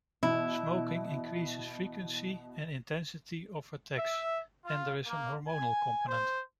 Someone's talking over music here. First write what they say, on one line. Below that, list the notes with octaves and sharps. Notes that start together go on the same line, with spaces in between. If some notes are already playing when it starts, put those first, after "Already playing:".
Smoking increases frequency and intensity of attacks, and there is a hormonal component.
B2 E3 E4
E5
F4
A#3
G#5
C5